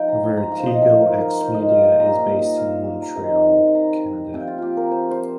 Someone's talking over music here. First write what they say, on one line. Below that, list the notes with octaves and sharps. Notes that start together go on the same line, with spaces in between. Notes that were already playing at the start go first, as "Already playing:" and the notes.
VertigoXmedia is based in Montreal, Canada.
Already playing: F3 D#4 G5
A#5
C6
A#5
F5
C5
D#5
F3 D#4 C5
A#4
A#4
C5
D#5
F5
G5
A#2 G3 D#4 A#5
F5
A#5
C3 D#3 C4 D#4
C6
A#5
C3 F3 C4 G5
F4
F4 G4
A#4
C5
C5